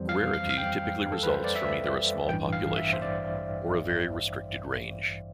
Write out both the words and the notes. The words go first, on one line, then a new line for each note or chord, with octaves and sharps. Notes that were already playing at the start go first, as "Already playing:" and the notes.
Rarity typically results from either a small population or a very restricted range.
Already playing: F2 E3 G3 C5
F5
F5
F5
G5
A4
B4
C5
D5
E5
A1 G2 E3 G5
F5
E5
C5
D5